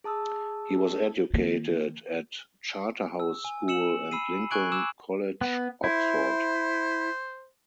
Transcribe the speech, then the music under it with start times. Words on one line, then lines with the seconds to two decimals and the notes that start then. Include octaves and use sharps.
He was educated at Charterhouse School and Lincoln College, Oxford.
0.04 G#4 A5 D#6 E6
1.34 D#3 A#3
3.20 E6
3.45 G#5
3.68 E6 C#7 E7 F#7
4.11 B5 E6 C7 D#7
4.51 G#5 C#6 F#6 G#6 D7 F#7
4.72 D6 E6 F#6 E7
5.41 B3
5.84 E4 C5